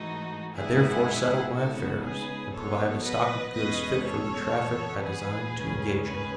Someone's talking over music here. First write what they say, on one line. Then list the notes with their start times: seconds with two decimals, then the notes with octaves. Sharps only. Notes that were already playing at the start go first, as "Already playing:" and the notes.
I therefore settled my affairs, and provided a stock of goods fit for the traffic I designed to engage in.
Already playing: G#2 E3 A3 D#4 F#4
0.54 F#2 D#3 G#3 B3 E4 G#4
1.54 C#3 G#3 B3 D#4 F#4 A4
2.04 G#4 B4
2.54 B2 F#3 B3 A4 C#5
3.04 B4 D#5
3.53 E2 B2 G#3 C#4 B4 D#5
4.04 A4 C#5
4.54 F#2 E3 B3
5.03 G#4 B4
5.53 D#2 C#3 G#3 C#4
6.03 G#4 B4